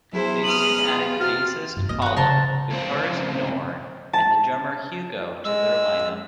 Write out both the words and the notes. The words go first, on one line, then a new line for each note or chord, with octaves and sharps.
They soon added bassist Paulo, guitarist Nor and drummer Hugo to their line-up.
E2 F#3 E4 G#4 C5
D#6 F6 F#7
F4
C3 F#4 F6 A6
G2 D#4
D#3 B3 D#5
F#4 B4
C#3 A#4 C5 A5
C#2 C4
A5
G#3 E6